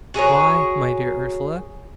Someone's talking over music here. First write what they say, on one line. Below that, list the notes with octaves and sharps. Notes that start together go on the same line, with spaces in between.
"Why, my dear Ursula?"
F#4 G#4 A#4 C#5